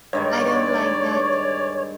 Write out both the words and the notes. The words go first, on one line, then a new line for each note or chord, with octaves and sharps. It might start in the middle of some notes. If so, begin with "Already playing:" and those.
I don't like that.
G2 D#3 G#3 C#5 D5